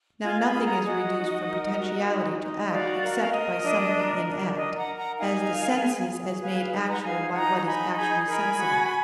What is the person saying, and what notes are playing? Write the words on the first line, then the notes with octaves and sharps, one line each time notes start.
Now nothing is reduced from potentiality to act except by something in act; as the senses as made actual by what is actually sensible.
F4 F5 G#5
G#5 B5
G#4
F#5 A#5
F#4 D#5 F#5
D#4
A#4
F#4
D#4
D#4
F#4 D5 F5
A#4
F5
A#4 D#5
D4
A#4
D4
A#4 D#5
F#5 A#5
A#4
F#5 A#5
D#4 F5 G#5
A#4
G#4
G#4
B4 F5 G#5
F5 G#5
D#4
F#5 A#5
G#4 F5 G#5
D#4 F#5 A#5
A#5
D#4 G#5 B5
G#4 G#5 B5
A#4 G#5 B5
F#4